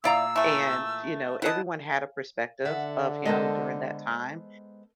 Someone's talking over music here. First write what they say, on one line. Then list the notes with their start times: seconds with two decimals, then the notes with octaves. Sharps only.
And, you know, everyone had a perspective of him during that time,
0.04 A#2 E4 D5 F5 A#5 E6
0.36 E3 A3
1.42 E4 D#5 F#5 A5
2.65 D3 A4 E5 F#5
3.25 G#3 B3 A4 A#4 C5 D#5